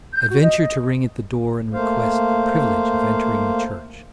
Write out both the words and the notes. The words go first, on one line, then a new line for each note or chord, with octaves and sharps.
I venture to ring at the door and request the privilege of entering the church.
G6
F#4
D#5
D#5
A3 A#3 C5 F5